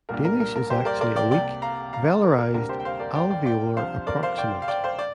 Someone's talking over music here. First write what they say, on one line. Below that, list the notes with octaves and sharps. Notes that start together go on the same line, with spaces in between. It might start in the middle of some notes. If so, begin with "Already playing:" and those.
Danish is actually a weak, velarized alveolar approximant.
C2 A#2 G3 A#3 D4 A#4
A#4
A#4
A#4
G4 C5
A#4 D5
A#4 D5
D5 G5
C2 C3 A#3 D5 G5
F5 A#5
F5 A#5
A#4
A#4
D2 C3 G3 A#3 D4 A#4
G4 C5
G5
C5 F5
A#4 D5
D5 G5
D5 G5
D5 G5
C2 C3 F3 D4 C5 F5
A#4 D5
C5 F5
D5 G5
F5
D5 G5
C5 F5
D5